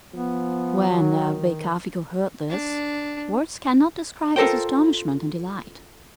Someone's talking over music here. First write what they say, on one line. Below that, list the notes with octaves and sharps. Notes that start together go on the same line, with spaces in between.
When Becafico heard this, words cannot describe his astonishment and delight.
F3 B3
D#3 F#3
D4
F4 A4 A#4 C5 G5